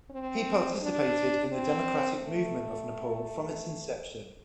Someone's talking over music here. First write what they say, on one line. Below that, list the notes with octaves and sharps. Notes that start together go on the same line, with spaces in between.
He participated in the democratic movement of Nepal from its inception.
C4
D4
C4
A3